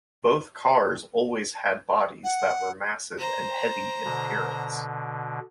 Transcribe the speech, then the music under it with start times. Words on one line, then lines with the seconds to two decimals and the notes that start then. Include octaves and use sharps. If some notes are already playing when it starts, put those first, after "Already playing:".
Both cars always had bodies that were massive and heavy in appearance.
2.24 F#5
3.18 C5 A#5
4.05 B2 D3